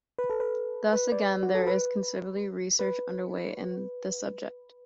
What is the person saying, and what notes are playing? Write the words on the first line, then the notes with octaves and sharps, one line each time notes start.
Thus, again there is considerable research underway in the subject.
B4
A4
B4
B4
D5
F#4
A4
B4
B4